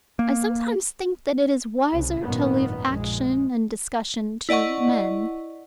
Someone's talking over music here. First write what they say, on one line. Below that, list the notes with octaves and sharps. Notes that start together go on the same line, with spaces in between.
"I sometimes think that it is wiser to leave action and discussion to men."
A#3
C2 C#3
G#1 F#2 A#2 D#3 B3
A#1 G#3
E4 D5 D#5 F#5 C#6